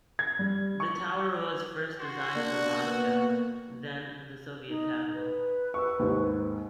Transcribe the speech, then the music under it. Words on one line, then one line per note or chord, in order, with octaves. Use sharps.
The tower was first designed for Moscow, then the Soviet capital.
G#6
G3
C#6
F#4 C6
A#3 D4
B3
D#4
B4
C#6 E6
D#2 G#2